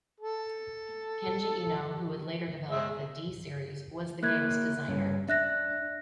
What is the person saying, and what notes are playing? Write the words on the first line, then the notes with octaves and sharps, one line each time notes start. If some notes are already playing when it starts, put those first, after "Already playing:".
Kenji Eno, who would later develop the "D" series, was the game's designer.
A4
G#3 E5
A#3 E4 F#6 G#6
G2 C#4
D4 E5 F#6 A#6